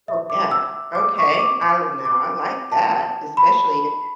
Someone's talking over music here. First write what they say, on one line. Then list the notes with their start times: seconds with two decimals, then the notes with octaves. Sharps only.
Oh, yeah. Okay. I l now, I like that, especially if it's
0.08 E5
0.30 D6
0.51 E6
0.95 D6
1.18 C#6
1.39 D6
1.62 D6
2.05 D6
2.72 A5
3.37 B5